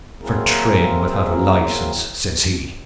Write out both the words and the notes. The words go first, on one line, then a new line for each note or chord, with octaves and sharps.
For trading without a licence, says he.
F#3 A#3 C4 E4 G#4 A#4